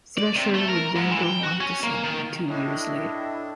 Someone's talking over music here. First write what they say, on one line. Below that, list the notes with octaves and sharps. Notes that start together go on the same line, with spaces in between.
"Thresher" would then go on to sink two years later.
D5
C3
A3
A#4
G#2
E3
G5
F#4
C#4
A#3
D#3
A2 D4 E4 D#5